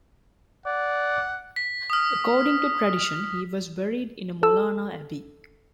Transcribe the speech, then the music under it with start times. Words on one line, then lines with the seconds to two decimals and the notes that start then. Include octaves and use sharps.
According to tradition he was buried in Molana Abbey.
0.66 D5 F#5
1.56 B6
1.90 D#6 F6
4.43 A4 E6